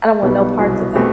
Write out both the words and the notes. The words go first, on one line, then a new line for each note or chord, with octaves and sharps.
I don't want no parts of that.
B1 B2 G3 B3
C2 B2 F#3
B2 A3 C4 G4